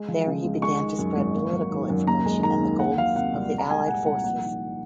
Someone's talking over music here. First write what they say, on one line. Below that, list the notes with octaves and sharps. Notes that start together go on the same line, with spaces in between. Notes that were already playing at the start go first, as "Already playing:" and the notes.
There he began to spread political information and the goals of the allied forces.
Already playing: G#3
F3
C#3
C#2
G#3 C#6
D#3
F#2
G#1
A#3
F#3
D#3
F#2
D#2 A#5
G#3
D#3 A#5
D#2
A#3 F#5
F#3 F5
C3 F#5
C2
C2
A#5
G#3 G#5
A#2 F#5
C2 F#5
A#1 F#5
D#3